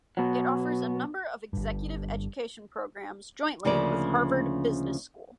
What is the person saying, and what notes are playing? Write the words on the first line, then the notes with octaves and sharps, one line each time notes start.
It offers a number of Executive Education programs jointly with Harvard Business School.
B2 F#3
G1 G2
D2 C#3 F3 A#3 D5